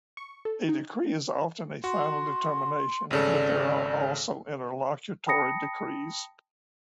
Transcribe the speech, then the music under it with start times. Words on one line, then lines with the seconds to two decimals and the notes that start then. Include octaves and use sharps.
A decree is often a final determination, but there are also interlocutory decrees.
0.17 C#6
0.45 A4
0.69 D#4
1.84 F#4 C6
3.11 G#1 C#3 A4 D5
5.27 G5 A5 B5 D#6 A#6 C#7